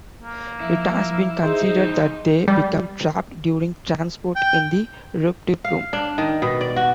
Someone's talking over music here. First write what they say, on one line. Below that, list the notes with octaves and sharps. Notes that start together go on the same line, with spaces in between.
It has been considered that they became trapped during transport in the eruptive plume.
A#3
F3 E4
D#4 G#4 C5
E3 G3
G3
G5
F5
D4
D#3
B2
D5
F#4